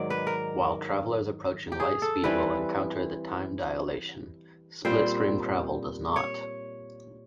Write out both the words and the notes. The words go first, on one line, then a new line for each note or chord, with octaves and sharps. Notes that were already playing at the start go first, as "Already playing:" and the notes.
While travellers approaching light speed will encounter time dilation, slipstream travel does not.
Already playing: G#2 D#3 F#3 D5
B4
A#4
G4
G#4
A4
E3 G3 C4 B4
A#2 G3 C4 C5
C#5